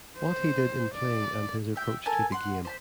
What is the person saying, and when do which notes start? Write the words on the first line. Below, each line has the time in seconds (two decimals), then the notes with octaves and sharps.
What he did in playing and his approach to the game.
0.17 C5
0.95 D5
1.76 E5 G5
2.06 A4 A#4 G#5 A5
2.32 F#5 C6
2.65 C5 A5 B5